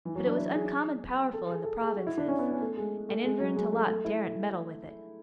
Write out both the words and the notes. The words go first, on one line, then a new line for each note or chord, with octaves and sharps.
But it was uncommon powerful in the provinces, and Enver and Talaat daren't meddle with it.
E3
F#3
D4
E4
G#4
A4
G#4
A4
G#4
F#4
E4
D4
C#4
B3
C#4
A3
G#3
A3
G#3
F#3
G#3
A3
A3
E4